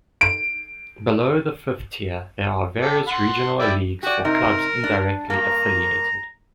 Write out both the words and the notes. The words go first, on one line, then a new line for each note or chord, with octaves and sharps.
Below the fifth tier, there are various regional leagues for clubs indirectly affiliated.
D7
G4 A4
F#5 C6
E4 G4 D5
F#4 G4 D5
C3 D#4 A#4
D4
G2 A#3 A#5